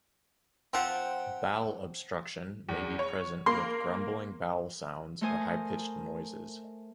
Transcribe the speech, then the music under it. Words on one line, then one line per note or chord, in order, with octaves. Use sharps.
Bowel obstruction may present with grumbling bowel sounds or high-pitched noises.
F3 C4 F#5 G5
E2
C#5
A#3 C6
A3 A#4 C5 G#5 D#6